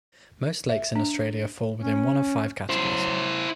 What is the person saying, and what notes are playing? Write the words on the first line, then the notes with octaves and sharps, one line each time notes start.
Most lakes in Australia fall within one of five categories.
E5
D4
C#4
F#3 E4 C5